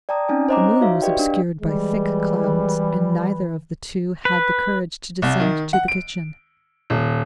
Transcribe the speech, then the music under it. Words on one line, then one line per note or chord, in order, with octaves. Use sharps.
The moon was obscured by thick clouds, and neither of the two had the courage to descend to the kitchen.
D5 G5 A5 A#5 D#6
C4 C#4 D#4 G#5
C5 C#5 D#5 F#5 A#5 D6
D#4 F#4 C#5 E5 F5
G4 B4 D5 D#5 F5 G5
D4
E3 G3 G#3
B4
C2
D#3
F#5
D7
D#1